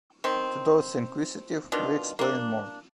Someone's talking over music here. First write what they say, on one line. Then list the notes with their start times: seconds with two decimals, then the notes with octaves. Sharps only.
To those inquisitive, we explain more.
0.24 D#3 C4
1.72 B2 D#3 D4 F4
2.19 A#3 D4